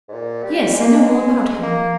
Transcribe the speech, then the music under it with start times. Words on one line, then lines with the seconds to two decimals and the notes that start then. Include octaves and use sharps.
'Yes, I know all about him.
0.08 G#2
0.13 A#2
0.43 G3
0.73 G#3
0.84 A#3
0.97 G#3
1.62 A#3